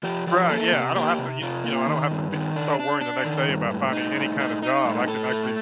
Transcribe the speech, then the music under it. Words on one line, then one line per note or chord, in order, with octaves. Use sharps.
Right, yeah I don't have to you you know, I don't have to be start worrying the next day about finding any kinda job I can actually
F3 G4
F3 G4
A#3 A4
C3 G4
A#3 G4
C3
C3 F4
A#3
D#3
G2
D#3
D4
D4
D4
D#3
G2
A2
D#4
A2
D#4
D#4
A2
A2 A4
A3